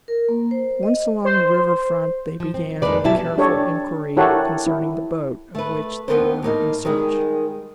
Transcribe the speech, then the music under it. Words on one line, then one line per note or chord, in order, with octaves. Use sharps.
Once along the river front they began a careful inquiry concerning the boat of which they were in search.
A#4
A#3
C5
D#5
C5
F3
C4
F2 D#3 G#3 A#3 B4 D5
B2 F#3 E4 G4 A5
D4 G4 A4 C#5 D5
E4 G4 A4 A#4 C#5 F#5
E4
A3 B4
D#2 A#2 B3 D4 A#4 C5
A2 A#3 D#4
D#3 G3 G#3 G#4